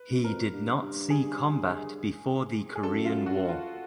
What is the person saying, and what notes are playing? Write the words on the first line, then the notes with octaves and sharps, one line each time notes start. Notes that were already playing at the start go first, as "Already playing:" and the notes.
He did not see combat before the Korean War.
Already playing: B4
F#2
F2 A#4
G2
G2
G#4
G#4
F#2 A4
F4
F#4
F4